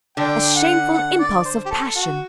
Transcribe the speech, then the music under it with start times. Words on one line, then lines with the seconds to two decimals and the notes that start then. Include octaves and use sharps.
A shameful impulse of passion.
0.17 D3 D4 G5
0.56 F#5
0.94 F#5
1.19 D5
1.45 C5
1.66 G4
1.71 A4
1.96 F#4